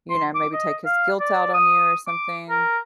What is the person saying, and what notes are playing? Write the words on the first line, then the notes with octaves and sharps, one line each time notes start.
you know, maybe take his guilt out on you or something?
C6
D6
D#5
F5
D5
D#6
D6
A#4